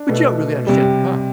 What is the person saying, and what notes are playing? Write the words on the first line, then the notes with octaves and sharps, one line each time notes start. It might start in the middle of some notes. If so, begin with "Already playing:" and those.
but you don't really understand the car,"
Already playing: D4
B2 A3
C3 G3